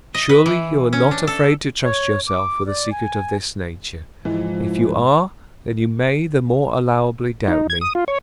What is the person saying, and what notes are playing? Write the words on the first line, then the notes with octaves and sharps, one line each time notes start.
Surely, you are not afraid to trust yourself with a secret of this nature: if you are, then you may the more allowably doubt me.
D#5
B4
E3
C#4
D4
A4
C#5
D6
D5
G#5
G#2 E3 F3 G#3
D#4
G#6
D#6
F4
C#5